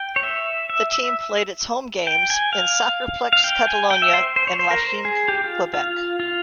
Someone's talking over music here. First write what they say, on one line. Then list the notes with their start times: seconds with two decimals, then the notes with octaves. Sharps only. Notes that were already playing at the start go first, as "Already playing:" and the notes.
The team played its home games in Soccerplexe Catalogna in Lachine, Quebec.
Already playing: G5
0.16 C#5
0.23 E5
0.70 E5
0.92 E5
2.07 G5
2.30 G#5
2.53 F5
3.33 F5
3.44 G5
3.67 G#5
3.90 G5
4.02 E5
4.14 C5
4.36 C5
4.47 C#5
4.59 C5
4.71 A#4
4.82 C5
5.05 G#4
5.28 G4
5.44 F4
5.74 F4
6.20 F4